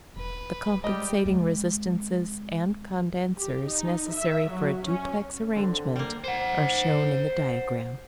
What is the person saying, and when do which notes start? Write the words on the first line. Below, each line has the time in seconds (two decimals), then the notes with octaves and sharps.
The compensating resistances and condensers necessary for a duplex arrangement are shown in the diagram.
0.16 E1 B4
0.84 G3 G#3 G4 D#5
1.25 G#3 C4
3.38 G4
3.67 D#4
4.12 E5
4.49 F#3
4.84 C#4
5.53 D3 C4
5.96 G3 A#3
6.24 C5 F#5